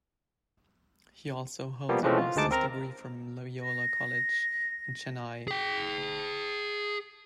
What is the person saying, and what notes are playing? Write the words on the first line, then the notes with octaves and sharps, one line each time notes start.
He also holds a master's degree from Loyola College in Chennai.
F3 G3 A#3 B3
E3 F3 G#3 A3 C4 C#4
F4
D2 G#3 D#4 A5 D6
C4 A#4 A#5
A#6
G#4 G5